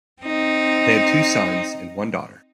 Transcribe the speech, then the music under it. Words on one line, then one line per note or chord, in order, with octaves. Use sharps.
They had two sons, and one daughter.
C4 D#4